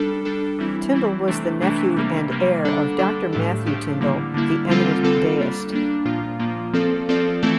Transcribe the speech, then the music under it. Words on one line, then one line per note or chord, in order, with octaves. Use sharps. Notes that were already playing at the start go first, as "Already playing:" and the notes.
Tindal was the nephew and heir of Doctor Matthew Tindal, the eminent deist.
Already playing: G3 D4 A4
G3 D4 A4
E3 G3 C4 E4
E3 G3 C4 E4
C3 E3 A3 D4
C3 E3 A3 D4
C3 G3 A#3
C3 G3 A#3
D3 G3 D4 A4
D3 G3 D4 A4
A2 F3 A3 D4 G4
A2 F3 A3 D4 G4
D3 G3 A#3 E4
D3 G3 A#3 E4
D3 G3 C4 F4 A4
D3 G3 C4 F4 A4
G3 A#3 D4
G3 A#3 D4
A#2 F3 A#3 F4
A#2 F3 A#3 F4
F3 C4 F4 A4 D5
F3 C4 F4 A4 D5
E3 A3 C4 E4 A4